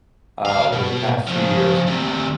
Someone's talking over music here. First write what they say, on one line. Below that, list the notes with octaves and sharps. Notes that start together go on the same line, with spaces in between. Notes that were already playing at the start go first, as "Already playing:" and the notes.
uh, over the past few years,
C#2 F5
B2
F2 C#3
D2 C3